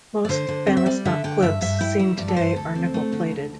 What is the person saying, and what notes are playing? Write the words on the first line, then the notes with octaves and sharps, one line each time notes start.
Most Fahnestock clips seen today are nickel-plated.
D5
D3 C5
D3
C4
E5
G3 D5
D3 E5
D3 G5
G2 E5
G2 E5
E4 G5
G3 E5
G2 D5
A4
G2 C5
D2 A4
C4
A3
D3
D2